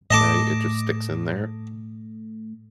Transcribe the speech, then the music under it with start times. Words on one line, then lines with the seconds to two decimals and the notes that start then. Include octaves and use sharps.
right? It just sticks in there?
0.11 A2 A3 D#5 A5 D6